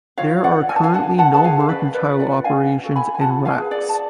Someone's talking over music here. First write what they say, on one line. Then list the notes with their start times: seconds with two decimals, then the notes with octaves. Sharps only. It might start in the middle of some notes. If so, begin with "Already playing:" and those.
There are currently no mercantile operations in Rex.
0.18 F4 C#5 F5
0.44 D5 F#5
0.56 B4
0.69 G#5
0.76 A5
0.83 F5 G#5
0.94 D4 F#5 A5
1.18 F#5 A5
1.32 G#4 B4 A5
1.44 F5 G#5
1.60 F5
1.69 C#4 B4 D5
1.94 B4 D5
2.08 F4 B4
2.19 D5 F#5
2.44 D4 F5 G#5
2.83 F#4 A4
2.96 G#5 B5
3.15 G#5
3.20 F4 F#5 A5
3.45 F5 G#5
3.59 G#4 B4
3.71 D5 F#5
3.89 A5